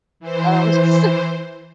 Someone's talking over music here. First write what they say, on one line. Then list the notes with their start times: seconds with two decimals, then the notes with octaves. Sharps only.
um, so
0.20 E3 C5